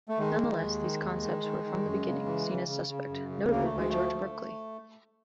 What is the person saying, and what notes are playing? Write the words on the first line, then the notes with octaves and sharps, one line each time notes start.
Nonetheless these concepts were from the beginning seen as suspect, notably by George Berkeley.
A3
D#3 G#3
D#3
D#2
D#3
D#2
D#3
D#3
D#3
F#2
C#3
E3
C#3
C#3
C#3
F#2
C#3
D2 A#3
A3
D2
G#3
F3 A3
F3